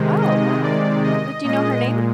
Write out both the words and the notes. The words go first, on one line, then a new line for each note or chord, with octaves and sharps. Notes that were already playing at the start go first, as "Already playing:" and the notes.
Oh, wow. Her do you know her name?
Already playing: C3 D#3 G#3
D#5
D5
D#5
A#2 G#3 D#5